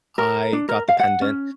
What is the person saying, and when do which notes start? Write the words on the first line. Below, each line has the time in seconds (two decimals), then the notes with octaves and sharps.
I got the pendant.
0.18 A#4
0.53 D4
0.69 A#4
0.88 F5
0.99 F#5
1.21 C#4